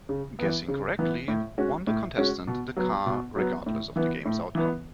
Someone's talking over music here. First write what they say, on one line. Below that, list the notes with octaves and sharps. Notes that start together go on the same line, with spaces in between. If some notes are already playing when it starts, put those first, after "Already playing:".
Guessing correctly won the contestant the car regardless of the game's outcome.
C#3
E3 B3
C#3
E3 B3
A2
G#3 C#4 F#4
A2
G#3 C#4 F#4
B2
F#3 B3
B2
F#3 B3
A2
E3 B3
A2
E3 B3